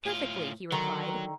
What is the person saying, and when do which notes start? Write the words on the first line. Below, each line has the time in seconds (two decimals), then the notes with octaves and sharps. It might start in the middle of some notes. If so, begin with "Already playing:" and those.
"Perfectly," he replied.
0.05 A2 F4
0.72 D3 D#3 F#3 A#5